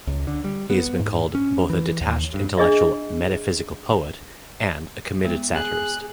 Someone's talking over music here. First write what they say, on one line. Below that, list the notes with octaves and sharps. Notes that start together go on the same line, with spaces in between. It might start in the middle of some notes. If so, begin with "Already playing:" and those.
He has been called "both a detached, intellectual, 'metaphysical' poet" and "a committed satirist".
C#2
D3
G3
B3
G#2
C#4
E3
D#2
G2
D4 G#4 D#5 E5
G#3 B3
G#4 F#6